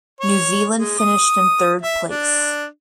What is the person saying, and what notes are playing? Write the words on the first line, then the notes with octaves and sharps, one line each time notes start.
New Zealand finished in third place.
C#5
G#3
D#6
E5
D4